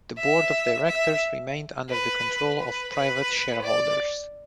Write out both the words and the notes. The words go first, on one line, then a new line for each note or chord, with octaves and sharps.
The board of directors remained under the control of private shareholders.
E5
E5
B4
B4
B4
D5